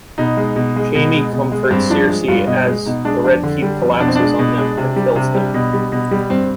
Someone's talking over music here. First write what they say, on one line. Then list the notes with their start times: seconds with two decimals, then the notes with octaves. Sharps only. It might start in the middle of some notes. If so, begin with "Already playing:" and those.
Jaime comforts Cersei as the Red Keep collapses on them and kills them.
0.18 B2 D#4
0.37 G#3
0.56 B2
0.76 G#3
0.95 B2
1.14 G#3
1.32 B2
1.52 G#3
1.71 G2 C4
1.90 F3 D4
2.09 G#3
2.28 G2 F4
2.47 B2 D#5
2.67 G#3
2.86 B2 D#4
3.05 G#3 D4
3.24 F2 D4
3.43 D3
3.62 G3
3.82 F2
4.00 B2 D4
4.08 C4
4.15 G#3 D4
4.39 B2
4.58 G#3
4.77 C3
4.96 G3
5.16 C3
5.35 G3
5.54 B2
5.73 G3
5.92 B2
6.11 G3
6.30 G2 C4